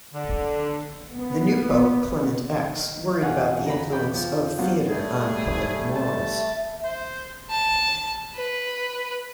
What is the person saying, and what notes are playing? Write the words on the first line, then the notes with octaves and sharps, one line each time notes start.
The new pope Clement X worried about the influence of theatre on public morals.
D3
B3
D#3
F2 E3 F5 F#5 G#5
A#5 B5
B4 C#5 D5 G5 B5
F3
F#3 B3 C4 D4 F5
G3 A3 G#4
E5 A5
C5
A5
B4